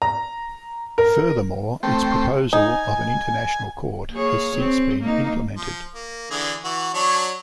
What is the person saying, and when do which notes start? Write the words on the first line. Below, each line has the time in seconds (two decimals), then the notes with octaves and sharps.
Furthermore, its proposal of an international court has since been implemented.
0.02 A#5
0.98 A#4
1.83 A3 C4 G5
2.53 D#4 G#5
4.12 A#3 G#4 C#5
4.57 C4
5.01 A#3 D#4
5.57 F3
5.95 A#3
6.31 D3 E3 G#4
6.64 E3 F#4
6.94 F#3 D4 C#5